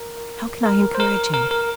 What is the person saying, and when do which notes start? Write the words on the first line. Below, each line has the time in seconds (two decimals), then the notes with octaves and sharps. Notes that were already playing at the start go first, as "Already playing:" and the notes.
"How can I encourage him?"
Already playing: A#4
0.66 A#4
0.95 C5
1.00 A#4
1.34 A#4
1.51 A#4